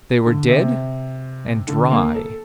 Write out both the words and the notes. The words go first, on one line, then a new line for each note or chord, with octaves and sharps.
They were dead and dry.
D3
C3
D3
A#3
A4